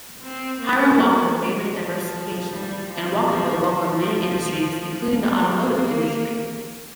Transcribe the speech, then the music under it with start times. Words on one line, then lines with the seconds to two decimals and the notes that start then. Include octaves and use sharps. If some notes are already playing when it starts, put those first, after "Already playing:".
Hiram Walker favoured diversification and Walkerville welcomed many industries including the automotive industry.
0.23 C4
0.61 A#3
1.37 G#3
1.76 F3
2.52 G3
2.90 F3
3.28 F3
3.67 F3
5.20 G3
5.58 A#3